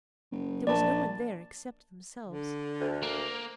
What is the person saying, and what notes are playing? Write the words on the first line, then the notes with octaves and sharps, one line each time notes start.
There was no one there except themselves.
F#1
A#1 D5 A5
D3
D2
A#3